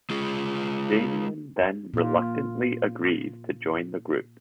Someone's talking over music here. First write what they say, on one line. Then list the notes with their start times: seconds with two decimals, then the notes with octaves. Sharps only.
Damian then reluctantly agrees to join the group.
0.10 G#3 F4 G#4
1.94 A#2 F4